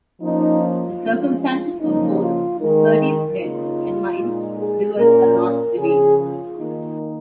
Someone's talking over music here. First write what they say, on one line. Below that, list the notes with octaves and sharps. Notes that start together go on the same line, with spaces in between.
The circumstances of both Ferdy's death and Miles' divorce are not revealed.
F3 A#3 C#4 D#4
F4
F3 G#3 C#4
F4
C#3 F3 A#3 C#4 D#4
F4
D#3 G#3 D#4 A#4
A#4
C#3 A#3 D#4 F4
A#2 G#3 D#4
G#4
A#2 A#3 C#4 A#4
A#4
C#3 F3 C#4 G#4
F4
D#3 A#3 D#4